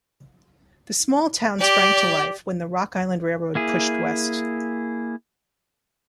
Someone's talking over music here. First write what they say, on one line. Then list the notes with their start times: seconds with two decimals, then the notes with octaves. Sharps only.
The small town sprang to life when the Rock Island Railroad pushed west.
1.59 G4 D5
3.55 A#3 E4 G#4